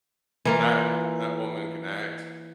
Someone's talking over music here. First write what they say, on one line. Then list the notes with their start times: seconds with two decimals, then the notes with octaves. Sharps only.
that that woman can act
0.45 E3 A#3 F4